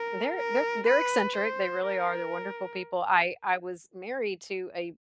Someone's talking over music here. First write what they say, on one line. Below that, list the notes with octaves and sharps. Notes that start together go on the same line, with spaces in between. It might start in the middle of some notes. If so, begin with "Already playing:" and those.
They're they're they're eccentric, they really are, they're wonderful people. I I was married to a
Already playing: A#4
A#4
B4
C5
A#4